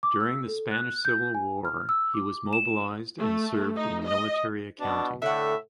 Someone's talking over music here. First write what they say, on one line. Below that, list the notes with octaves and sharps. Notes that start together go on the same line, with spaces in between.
During the Spanish civil war he was mobilised and served in military accounting.
D6
E6
A4
F#6
G6
G#5
F6
E6
D6
E7
A3
D#4
D#5
B2 D4
A2 D3 E5 F#5